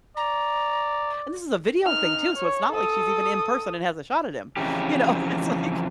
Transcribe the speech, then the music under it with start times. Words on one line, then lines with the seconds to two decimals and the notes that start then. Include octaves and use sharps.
and this is a video thing too, so it's not like she's even in person and has a shot at him. You know, it's like
0.17 D5 A#5
1.83 D#4 F6
2.37 C#5
2.72 A4 D#6
4.57 F2 C#3 E3 C#4 G4